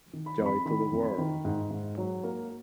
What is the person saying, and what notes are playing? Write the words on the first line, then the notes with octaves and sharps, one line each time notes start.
Joy to the world.
D#3
B5
F2
B5
D#3 B5
F2
D#3
G#2
G#2
F#3
A#3